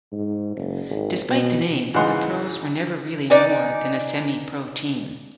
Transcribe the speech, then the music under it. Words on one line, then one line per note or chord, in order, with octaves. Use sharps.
Despite the name, the Pros were never really more than a semi-pro team.
G#2
F#1
G#1
B2
G#2 C#3 E3 D#4 F#5 C6
D#4 B4 D5 G#5